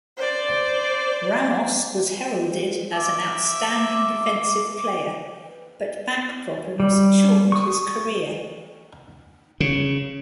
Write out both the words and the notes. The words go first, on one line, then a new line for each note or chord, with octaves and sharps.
Ramos was heralded as an outstanding defensive player, but back problems shortened his career.
C5 D5
E5 D6
G3
C#6 D#6
C#3